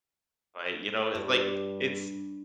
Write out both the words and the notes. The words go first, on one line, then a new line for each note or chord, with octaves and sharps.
Right, you know, it's like, it’s
G2